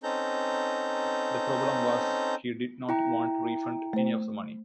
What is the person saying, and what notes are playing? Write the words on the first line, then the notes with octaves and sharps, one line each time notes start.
The problem was he did not want to refund any of the money.
C4 C#4 D#4 A4 A#5 G6
E4 G5 A#5
A3 C5